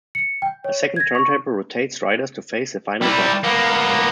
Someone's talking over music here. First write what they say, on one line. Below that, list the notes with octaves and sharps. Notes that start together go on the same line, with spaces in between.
A second turntable rotates riders to face the final drop.
C#7
G5
C#5
G#6 A#6
C#6
G3 E4
A#3 B3